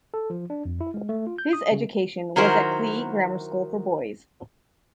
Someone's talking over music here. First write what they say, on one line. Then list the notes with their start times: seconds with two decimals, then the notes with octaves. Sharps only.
His education was at Clee Grammar School for Boys.
0.14 A4
0.30 F3
0.50 D4
0.65 F2
0.81 E4
0.94 G#3
1.09 A3
1.27 F4
1.38 G6
1.53 D#6
1.71 C#3
2.36 D#3 F#3 E4 F#4 A#4 C5